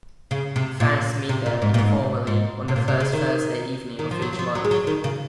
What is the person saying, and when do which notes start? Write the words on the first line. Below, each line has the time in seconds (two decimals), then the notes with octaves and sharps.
Fans meet there, informally, on the first Thursday evening of each month.
0.31 C#3
0.56 C3
0.80 A#2
1.29 C3
1.46 A#2
1.62 G#2
1.74 A#2
1.79 G#2
2.27 G#2
2.68 C3
2.76 A#2
2.88 C3
3.00 C#3
3.13 D#3
3.99 D#3
4.11 F3
4.22 F#3
4.33 F#3
4.39 F3
4.55 F#3
4.65 G#3
4.71 F#3
4.87 D#3
5.04 C#3